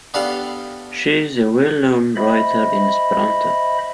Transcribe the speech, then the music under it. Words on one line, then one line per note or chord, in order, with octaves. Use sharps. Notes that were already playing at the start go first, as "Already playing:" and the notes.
She is a well-known writer in Esperanto.
B3 D4 G4 A4 D5 F5
C5 D#5 E5 B5